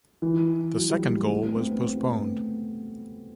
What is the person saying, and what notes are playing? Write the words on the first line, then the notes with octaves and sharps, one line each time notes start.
The second goal was postponed.
E3
F#3
G3
A3
A3
B3
C4
B3
B3
A3